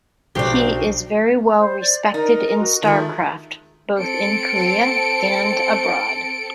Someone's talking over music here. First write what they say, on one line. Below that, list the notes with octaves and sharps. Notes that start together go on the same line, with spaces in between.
He is very well respected in StarCraft both in Korea and abroad.
B1 D4 G4 C5 D6
C5
D5
D#4 A#4
F#4
D#3 G#3 A3 F4
C4 A4 C#7 D7